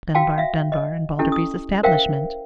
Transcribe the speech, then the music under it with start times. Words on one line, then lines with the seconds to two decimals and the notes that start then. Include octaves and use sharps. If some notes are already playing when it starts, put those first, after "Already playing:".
Dunbar, Dunbar, and Balderby's establishment.
0.15 F#4 F5 G5 A5
0.38 E5 F5
0.72 D#5
1.19 C#4 E4 G4 A4
1.32 D#6
1.83 A#4 C5 E5 F5 G5